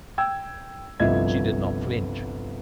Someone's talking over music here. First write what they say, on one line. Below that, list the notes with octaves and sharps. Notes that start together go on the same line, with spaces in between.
She did not flinch.
G5 E6 G#6
G1 C2 F3 D#5 E5 G#6